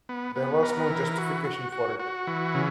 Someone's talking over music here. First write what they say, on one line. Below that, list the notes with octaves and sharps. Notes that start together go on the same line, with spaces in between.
There was no justification for it.
B3
B3
A#4
E3
F#4
F#4
F#4
F#4
E3
C#3